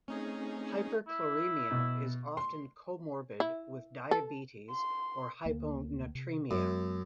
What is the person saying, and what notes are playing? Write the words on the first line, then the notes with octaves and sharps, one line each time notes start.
Hyperchloremia is often comorbid with diabetes or hyponatremia.
A3 C4 C#4 D#4 G#4
E4
B2
C6
E4
A4
C6
D2 A#3
C3
F#2 G#3 B3